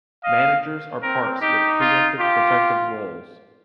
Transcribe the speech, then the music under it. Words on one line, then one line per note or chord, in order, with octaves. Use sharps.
Managers are parts with preemptive protective roles.
D#5 F5
C4 A#4
D#4 G4
F4
F4 G4